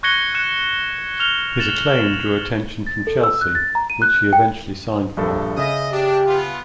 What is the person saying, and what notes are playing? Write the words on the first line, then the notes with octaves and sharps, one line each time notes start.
His acclaim drew attention from Chelsea which he eventually signed for.
C#6 F#6 G#6 A#6 C#7 G7
F#6 C#7 E7
F6 F7 G7
A6 E7 F#7
A6
A4
E6
F#6
A6
A#5
D#7
F#6
G5
A#1 G2 A4
C#3 D#5 E5
D4 G4
B3 F4